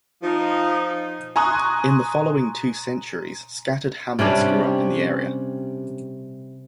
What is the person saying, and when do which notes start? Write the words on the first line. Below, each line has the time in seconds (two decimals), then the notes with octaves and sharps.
In the following two centuries, scattered hamlets grew up in the area.
0.23 F3 D#4
1.36 G#5 A#5 C6 C#6 D#6 F#6
4.19 C3 G3 C#4 D4